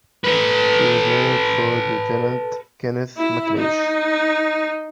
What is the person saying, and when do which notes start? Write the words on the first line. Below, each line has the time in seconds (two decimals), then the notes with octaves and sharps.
She was named for Lieutenant Kenneth MacLeish.
0.24 A4 B4
3.17 E4
3.57 D#4